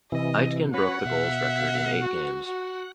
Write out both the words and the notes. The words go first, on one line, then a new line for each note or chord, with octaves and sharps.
Aitken broke the goals record in eight games.
C3 E3 D#5
C#4 F#4 B4 C#5 F#5
B2 E5 F5
F#4
F#4 F#5